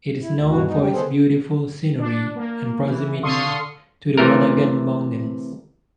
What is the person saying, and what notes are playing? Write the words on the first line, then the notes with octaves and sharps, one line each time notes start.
It is known for its beautiful scenery and proximity to the Watagan Mountains.
E4
D2
G2 B2 E3 F#4
F2 G#3 D#4
G3 G4
D#3 B3 G#4 A4 C5
D4
A#3
E3
D3 A4 F5 C6 C#6 D#6
C3 E3 A3 A#4